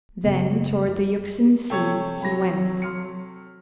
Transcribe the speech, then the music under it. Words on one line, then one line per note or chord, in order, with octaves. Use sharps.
Then toward the Euxine Sea he went.
F#2 C#3 B3
C3 A4 C#5 G5 C#6 G#6
F#3 G5 B5 A#6
C6 F6 C#7